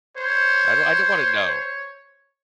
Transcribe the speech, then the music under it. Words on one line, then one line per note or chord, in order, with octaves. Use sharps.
I don't I don't wanna know.
C5 C#5